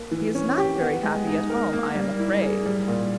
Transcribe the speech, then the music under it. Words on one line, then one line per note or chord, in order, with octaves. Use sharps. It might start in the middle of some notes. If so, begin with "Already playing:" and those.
He is not very happy at home, I am afraid.
Already playing: A#3
E3
C#4
G4
B3
G#3
D#4
A#4
A#3
G3
E4
G#4
G3
A#2